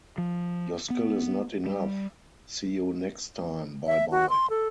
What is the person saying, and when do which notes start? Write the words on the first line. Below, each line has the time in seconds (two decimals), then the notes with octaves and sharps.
Your skill is not enough, see you next time, bye-bye!
0.18 F3
0.90 B3
1.66 G3
3.87 E5
4.11 F#4
4.30 C6
4.50 A4